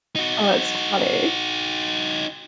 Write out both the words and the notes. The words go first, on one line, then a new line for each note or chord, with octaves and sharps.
Oh, that's funny.
D#4 F#4